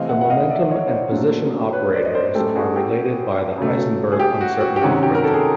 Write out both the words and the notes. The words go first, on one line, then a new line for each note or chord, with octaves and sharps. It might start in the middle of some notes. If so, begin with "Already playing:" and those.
The momentum and position operators are related by the Heisenberg uncertainty principle.
Already playing: C3 E3 A3 C4 D#5 F5
E5 F#5
F#5
D#5 F5
D5 E5
C#5 D#5
C5 D5
A#2 F#3 A3 D4
B4 C#5
C5 D5
D#5
C5 D5
A2 F#3 A3 C#4 G4 A4
F#4 G#4
G4
C#3 F#3 A3
G#4
G4
F#4
F#4
G4
C3 D#3 G#3 C#4 F#4
G4
A#4
A4
G#4